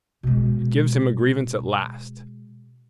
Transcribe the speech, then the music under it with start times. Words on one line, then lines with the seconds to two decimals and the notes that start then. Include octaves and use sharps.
It gives him a grievance at last.
0.23 B2 G#3